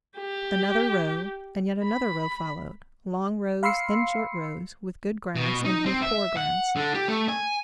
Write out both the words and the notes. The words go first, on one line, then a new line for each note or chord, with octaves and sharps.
Another row, and yet another row, followed--long rows and short rows, with good grass and with poor grass.
G4
B5
F5 B5 C6 E6 C7 C#7
B2
D#4
C4
E5
F#5
D3
G4
A3
G#5